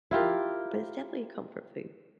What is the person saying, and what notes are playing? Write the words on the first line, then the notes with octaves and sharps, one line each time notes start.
Um, but it's definitely a comfort food.
E4 F4 G4 A#4